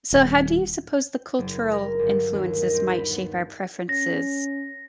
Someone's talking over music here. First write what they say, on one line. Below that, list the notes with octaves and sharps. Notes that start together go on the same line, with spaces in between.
So how do you suppose the cultural influences might shape our preferences
D#1
F#1
A#4
G1
D#2
D#5
C4
B5
B3
C#4 A#6